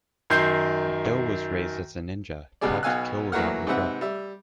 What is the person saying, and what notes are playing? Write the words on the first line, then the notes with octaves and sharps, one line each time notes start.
Doe was raised as a ninja, taught to kill without regret.
F#2 D#3 C6 G6 C7
C#2 B2 G3 G#4 D5
B1 B2 F5 G#5 E6 F#6
E3 F#3 A3 A#3 F#5 F6
G#2 C3 C4 B4 E5 F#5
G3 E5